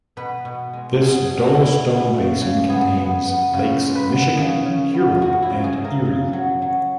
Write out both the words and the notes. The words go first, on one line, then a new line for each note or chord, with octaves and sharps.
This dolostone basin contains Lakes Michigan, Huron, and Erie.
B2 B4
B2
G#3
B2 G#4
G#4
B2
F#4
B2
E4
B3
C#3
C#3
B3 G#4
B3
B3
C#3
G#3
B4
B3
C#3 G#4
C#3
B3
C#4 F#4
E4
C#3
G#4
C#3
A#4
C#3
F#3
F#3